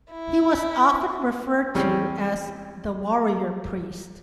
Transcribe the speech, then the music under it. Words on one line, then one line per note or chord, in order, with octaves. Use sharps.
He was often referred to as "the warrior-priest".
E4
E2 G3 C4 C#4